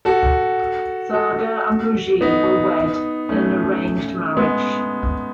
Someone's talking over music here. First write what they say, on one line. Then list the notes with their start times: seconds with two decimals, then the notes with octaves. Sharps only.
Saga and Pujie were wed in an arranged marriage.
0.05 F#4 A4
1.13 F#4 A4
2.21 B3 D#4
3.29 A3 C#4
4.37 G#3 B3